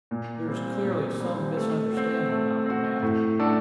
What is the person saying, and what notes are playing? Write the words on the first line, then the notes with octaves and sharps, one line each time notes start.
"There is clearly some misunderstanding about the matter."
A#2
G3 C4
A#2
G3 C4
A3
C4 F#4
A3
C4 F#4
A2
A3 D4 F#4 A4